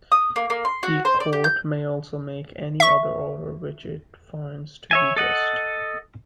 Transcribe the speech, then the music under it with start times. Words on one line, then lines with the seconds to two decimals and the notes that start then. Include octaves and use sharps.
The court may also make any other order which it finds to be just.
0.12 D#6
0.36 A#3
0.50 A#3
0.65 C6
0.83 F#4
1.05 C5
1.20 D5
1.33 G4
1.44 G6
2.80 E5 C#6
4.91 C#5 E5 G#5
5.16 A4 D#5 F#5